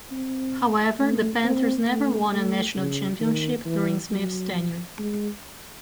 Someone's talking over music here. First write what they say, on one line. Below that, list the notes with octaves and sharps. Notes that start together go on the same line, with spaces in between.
However, the Panthers never won a national championship during Smith's tenure.
C4
A3
C4
A3
A3
C#3
D#3
E3
F#3
G#3